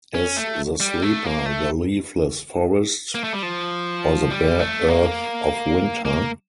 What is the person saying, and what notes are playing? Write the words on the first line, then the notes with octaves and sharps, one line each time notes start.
Is the sleeper the leafless forest or the bare earth of winter?
C#4
A3
G3
A3
A#3
A3
A#3
A3
G3
F3
G3
A3
A#3
A#3